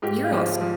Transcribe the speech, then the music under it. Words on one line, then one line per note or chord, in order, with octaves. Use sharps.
You're awes
G#2 G4
F4
F3
F3